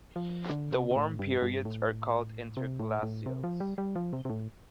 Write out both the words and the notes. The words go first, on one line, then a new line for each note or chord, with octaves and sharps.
The warm periods are called "interglacials".
F3
D3
C3
C3
A2
G2
G2
A2
C3
A2
A2
C3
F3
G3
G3
F3
C3
C3
A2